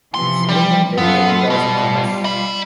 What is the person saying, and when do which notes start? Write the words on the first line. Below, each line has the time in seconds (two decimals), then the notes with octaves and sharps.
Sullivan later endorsed Gomez.
0.14 C3 E3 F3 C6
0.49 G3
0.98 F#2 B3 F4 A4
1.50 B2 G3 F4
2.24 D#5 B5